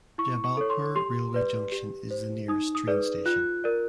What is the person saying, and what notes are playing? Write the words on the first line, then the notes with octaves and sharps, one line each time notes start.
Jabalpur railway junction is the nearest train station.
E4 C#6
C#6
A4 C#5
C6
G4 C6
B4 D5
G4
C5
D#4 D#6
D#6
G#4 B4 D5
F4 F#6
A#4 D5